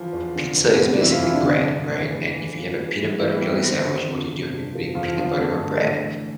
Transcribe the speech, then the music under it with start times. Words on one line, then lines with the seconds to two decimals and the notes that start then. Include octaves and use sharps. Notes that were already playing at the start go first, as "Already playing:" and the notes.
pizza is basically bread, right? And if you have a peanut butter and jelly sandwich, what are you doing? You're putting peanut butter on bread,
Already playing: E3 F3 F4
0.13 E2
0.35 D3
0.56 E2
0.66 A3
0.74 B3
0.79 C3 C4
0.92 D4
1.00 F2 E3 E4
1.11 F3 F4
1.22 C3 E3 E4
1.33 D3 D4
1.44 G2 D3 D4
1.66 D3
1.89 A2
2.11 E3
2.32 A2
2.54 F3
2.76 A2
2.98 E3
3.19 G2 E3 E4
3.34 G3 G4
3.41 E3
3.49 B3 B4
3.63 G2 C4 C5
3.85 D3 C4 C5
4.08 F2
4.29 C3
4.50 G2
4.73 F3
4.94 F2 F3 F4
5.17 D3 F3 F4
5.38 G2 A3 A4
5.60 D3
5.82 A2
6.04 E3